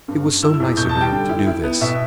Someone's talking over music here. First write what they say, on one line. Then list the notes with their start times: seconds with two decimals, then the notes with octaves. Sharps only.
It was so nice of you to do this.
0.08 G2
0.25 G2
0.43 E4 E6
0.54 E6
0.60 E2
0.77 B2 G6
0.89 A5
0.95 G3
1.01 G5
1.12 D3
1.29 E4
1.47 E4
1.64 B3
1.81 B2 E5